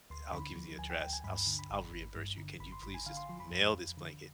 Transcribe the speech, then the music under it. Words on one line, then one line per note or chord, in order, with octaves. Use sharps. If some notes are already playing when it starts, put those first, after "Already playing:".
I'll give you the address. I'll s I'll reimburse you. Can you please just mail this blanket
D2 C6
D3 B5
F3
D2 G#5
G5
D2 G5
G#5
G2 B5
D3
B5
G#1
G#1
G2
D3
G#1 B5
C6
G#1 B5
G#5
D3 F5
C6
F3 C6
B5
F2
F2
D3